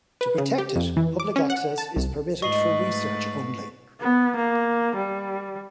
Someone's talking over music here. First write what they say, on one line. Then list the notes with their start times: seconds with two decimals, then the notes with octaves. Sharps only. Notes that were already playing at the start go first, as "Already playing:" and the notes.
To protect it, public access is permitted for research only.
0.21 B4
0.38 C#3
0.58 G4
0.76 F2
0.97 E3
1.20 D6
1.36 C#4
1.50 F#5
1.78 A5
1.96 C2
2.42 G#2 A3 B4 D#5 C#6 C7 F#7
4.00 B3
4.36 A#3
4.96 G3